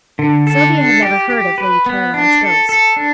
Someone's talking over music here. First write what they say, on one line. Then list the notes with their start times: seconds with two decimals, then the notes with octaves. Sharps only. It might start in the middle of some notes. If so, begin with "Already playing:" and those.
Sylvia had never heard of Lady Caroline's ghost.
0.19 D3
0.47 A4
0.75 D4
1.02 G4
1.30 G4
1.58 B4
1.86 B3
2.14 D4
2.41 A4
2.69 A4
2.97 D4